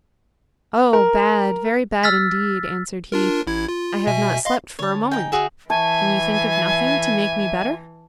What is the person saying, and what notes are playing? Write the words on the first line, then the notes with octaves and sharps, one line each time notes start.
'Oh, bad; very bad indeed,' answered he; 'I have not slept for a moment. Can you think of nothing to make me better?'
A#4
E6 F6 A6 B6
D4 F4 A#4
A1 E4 G#6
F4
B2 E5 G#5
D#5 F5 C6
D3 C#5 A5
D#4 G5 G#5 G6
F#4 G#4 E5 A#6
E3 E5 G#5 A5 C#6